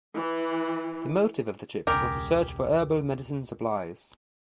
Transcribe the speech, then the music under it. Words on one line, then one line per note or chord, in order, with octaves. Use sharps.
The motive of the trip was to search for herbal medicine supplies.
E3
E1 C#2 C#3 G4 G#4 A#4